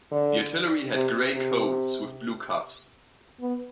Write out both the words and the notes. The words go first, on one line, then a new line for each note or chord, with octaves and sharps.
The artillery had grey coats with blue cuffs.
D3
C3
C3
B3